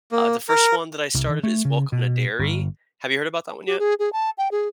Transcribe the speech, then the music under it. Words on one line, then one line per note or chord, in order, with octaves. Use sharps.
Uh, the first one that I started is Welcome to Derry, have you heard about that one yet?
A#3
A#4
C2
D#3
A3
C#3
B2
G1
G4
G#4
G#4
A5
G5
G#4